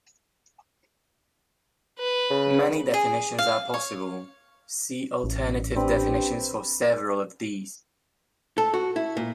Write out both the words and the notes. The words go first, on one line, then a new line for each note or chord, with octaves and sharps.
Many definitions are possible; see Alternative definitions for several of these.
B4
C#3
G#4
F5
C#5
A1
C4 D4 G4 B4
A4
F#4
E4
A#2